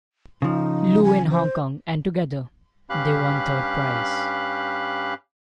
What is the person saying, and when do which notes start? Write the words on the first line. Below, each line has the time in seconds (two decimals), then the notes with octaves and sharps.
Loo in Hong Kong, and together they won third prize.
0.42 C#3 F3 D#4
1.04 G#5
1.31 C5
2.90 G2 C#4 G4 F5 B5 F#6